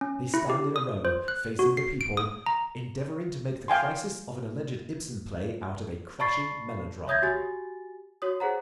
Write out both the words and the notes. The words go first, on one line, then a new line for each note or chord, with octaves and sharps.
They stand in a row, facing the people, endeavoring to make the crisis of an alleged Ibsen play out of a crashing melodrama.
C#4
E4
G4
D#6
C5
F#6
F#4
C7
D7
D#6
A#5
F5 G5 G#5 C6
D5 A5 B5 C#6 A6 C7
C#5 E5 D#6 G6 G#6 A#6
F#4 G4 G#5 A6
F#4 C#5 D#6
G#4 C5 F#5 A#5